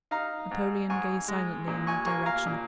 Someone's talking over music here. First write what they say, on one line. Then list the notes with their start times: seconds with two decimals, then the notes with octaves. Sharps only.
Napoleon gazed silently in that direction.
0.11 D#4 F5 A#5
0.51 G#2
0.90 G#2 G#5 C#6
1.28 G#3
1.68 A#2
1.87 G#5 C#6
2.06 A#3 G#5 C#6
2.26 F5 A#5
2.46 A#2